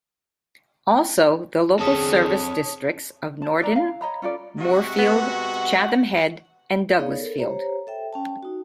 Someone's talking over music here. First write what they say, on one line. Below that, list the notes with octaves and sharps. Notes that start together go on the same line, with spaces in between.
Also the local service districts of Nordin, Moorefield, Chatham Head, and Douglasfield.
D3 C4 G#4 A4 C#5 A5 D#6 B6
A5
D4 A4 D5 A#5
F5
C#5 D#5 A#5 B5
C#4 F4 A4 D5
C3 G#3 F#4
B3 F#5
B3 D#4 G#4 C#5 D5 F5
A4 A#4
G4 C5 C#5 A#5
A4 E5 G5
C#4 G5 A5
D#4 F#4